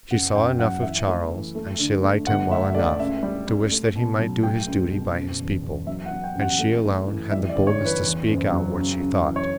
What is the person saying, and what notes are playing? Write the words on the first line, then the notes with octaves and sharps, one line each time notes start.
She saw enough of Charles, and she liked him well enough, to wish that he might do his duty by his people; and she alone had the boldness to speak out what she thought.
F#1 F#5
F#1 G5
F#3 F#5
E3 E5
A3
E3
A3
D3
A3
G1 F#5
A3 E5
A3 D5
C#2 E5
G3
G3
A3
B2
F#3
A3 G5
C#2
B2
F#1
E2
E2
F#3 E5
F#5
F#3
G5
A1
F#5
A3
A3
E3
G3 E5
D5
G1
C#5
E3
B4
E2
F#1
F#3
C#3
C#3
E3
C#5